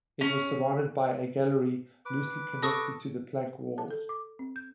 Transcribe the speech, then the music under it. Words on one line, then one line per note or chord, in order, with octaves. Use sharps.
It was surrounded by a gallery loosely connected to the plank walls.
C#4
B4 D6
A4 C#6 D#6 A#6
A5
A4
D6
C4
G6